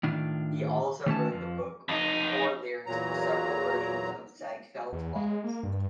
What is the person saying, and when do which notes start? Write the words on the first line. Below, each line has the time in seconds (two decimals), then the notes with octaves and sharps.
He also wrote the book or lyrics for several versions of the Ziegfeld Follies.
0.03 A2 D#3 D4 F4
1.06 D#3 A3 C#4 A5
1.32 F2 F3
1.89 F2 D#4
2.86 E2 A#2 F#3 A#5
4.93 E2
5.16 G#3
5.44 A#3
5.63 G2